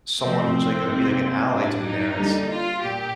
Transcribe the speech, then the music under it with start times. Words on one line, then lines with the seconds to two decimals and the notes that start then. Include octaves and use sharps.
someone who's, like, gonna be, like, an ally to Daenerys,
0.22 C3 F3 A3 C4
0.87 C3 G3 A#3
1.52 A2 G3 A#3 D4
1.85 D#4
2.18 D3 G3 A#3
2.50 F4
2.83 A#2 G4